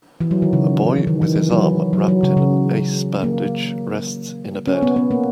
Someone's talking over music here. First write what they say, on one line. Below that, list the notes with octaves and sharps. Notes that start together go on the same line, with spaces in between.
A boy with his arm wrapped in an ACE bandage rests in a bed.
E3
F#3
D#3
C#3
E3
D#3
E3
E3
F#3
F#3
F#3
C#3
C#3
A#3
C#4
B3
B3
A#3